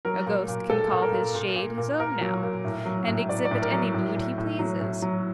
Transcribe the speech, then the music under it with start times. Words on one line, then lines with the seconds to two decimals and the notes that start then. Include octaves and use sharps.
A ghost can call his shade his own now, and exhibit any mood he pleases.
0.05 F#3 A#4
0.26 A#2
0.48 A#2
0.70 A#2 A4
0.91 A#2
1.02 A#4
1.13 A#2
1.35 A#2
1.56 A#2
1.78 A#2
1.99 A#2 A#4
2.21 F#3
2.43 A#2
2.65 A2
2.86 F#3
3.08 A2
3.29 A2 D5
3.45 D5
3.51 A2
3.62 A#4
3.72 F#3
3.94 A2
4.16 A2
4.38 A2
4.59 F#3
4.81 A2
5.02 F#3